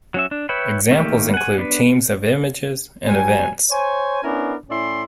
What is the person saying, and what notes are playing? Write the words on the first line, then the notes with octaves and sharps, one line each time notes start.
Examples include teams of images and events.
F#3 C#4 E5
D4
B4 C#5 E5 G5 B5
D#3 A3 A#3 G4
F#5 G#5
B3 D4 B4
F#3 G3 G#5
C5 C#5 G#5
B3 C#4 D4 E4 A#4
A2 C#4 E4 D5 C6